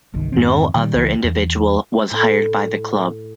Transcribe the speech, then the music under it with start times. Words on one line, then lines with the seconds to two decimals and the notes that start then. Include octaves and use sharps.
No other individual was hired by the club.
0.14 G1 C2 D#3
0.32 F2 G#2 D#3 C4
0.74 A#2 D#3 F#3 G3
0.94 C#2 E3
1.24 E2
2.11 A2